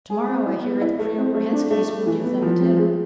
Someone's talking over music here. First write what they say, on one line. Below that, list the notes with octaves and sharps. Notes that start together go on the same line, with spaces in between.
"Tomorrow, I hear, the Preobrazhenskis will give them a dinner."
G#4
C4
E4
B3
E4
A3
C4
A3
D4
A3
A3
E3
B3
F3
C4
G#3